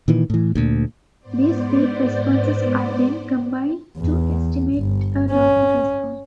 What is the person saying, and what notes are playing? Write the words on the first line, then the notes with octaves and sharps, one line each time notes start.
These peak responses are then combined to estimate a total response.
A#2 D#3 E3
A2 E3
D2 A#2
G#2 B3 C5 D5
E2
G1
C#4